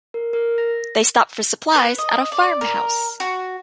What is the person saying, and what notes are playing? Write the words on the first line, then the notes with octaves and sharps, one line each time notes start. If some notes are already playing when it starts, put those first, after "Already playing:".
They stop for supplies at a farm house.
A#4
A#4
A#6
B4
D#5
D5
A#4
F#4